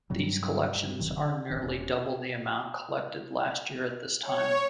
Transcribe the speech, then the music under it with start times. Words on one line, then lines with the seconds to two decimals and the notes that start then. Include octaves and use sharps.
These collections are nearly double the amount collected last year at this time.
0.10 G2 C3 F#3 G3
0.76 G2
0.99 D#1 C3 D#3 F#3
1.17 D3
1.50 G#1 A2 D#3 C#4
1.61 E1 B2 C#4
4.24 C#5